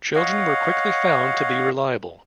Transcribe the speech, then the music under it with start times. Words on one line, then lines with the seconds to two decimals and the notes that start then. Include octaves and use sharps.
Children were quickly found to be reliable.
0.15 C#5 D#5 F5 F#5